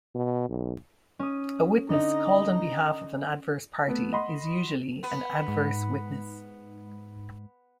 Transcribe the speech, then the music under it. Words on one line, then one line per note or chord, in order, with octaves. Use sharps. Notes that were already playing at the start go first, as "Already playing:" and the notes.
A witness called on behalf of an adverse party is usually an adverse witness.
B2
B1
C#4 D#6
D3 D#4 D#5 A#5
A3 B3
D#5 F#5 B5 C6
B3 B4
G#2